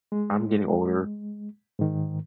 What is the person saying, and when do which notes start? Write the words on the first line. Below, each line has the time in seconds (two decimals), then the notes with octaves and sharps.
I'm getting older,
0.12 G#3
1.79 G#2 D#3